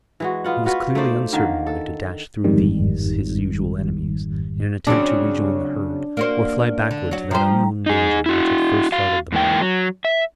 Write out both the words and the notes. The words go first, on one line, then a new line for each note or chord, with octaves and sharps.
He was clearly uncertain whether to dash through these his usual enemies, in an attempt to rejoin the herd, or fly backward to that unknown danger which had first startled them all.
E3 G#3 F#4
B3 F4 F#5
F4 F#4 B4
A3 D#4 C5 D5
D3 D#3 A#3
A4
G1 F2 G#2 D#3 G3
C#3 F#3 C4 D4
A#3 F#4 C5 D5
D3
F#3 F#4
F3 G3 C5 G5 A#5
D#4 G#4
E4 F#4
F#4 F5
G#2 E3 A#3 G5
F#3
E5